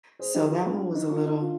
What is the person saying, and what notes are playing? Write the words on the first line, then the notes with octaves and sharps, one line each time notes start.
so that one was a little
G#4 C5
D#4 G4
F4 G#4
D4 F4
D4
D#4
D4 F4
D#4
D4 F4